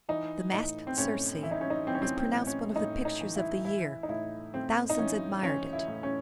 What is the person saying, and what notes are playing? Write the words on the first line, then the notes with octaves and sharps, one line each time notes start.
The "Masked Circe" was pronounced one of the pictures of the year. Thousands admired it.
E3 D#4
A2 D#4
C4
A2 C#4
E3 E4
D#4
C#4
D#4
E3 C4
C#4
C4
C4
A2
C#4
A2 D#4
D#4
E3
E4
E3 E4
D#4
A2 E4
A2 C4
D#4
E3 C#4
E3 C#4
E4
A2
C#4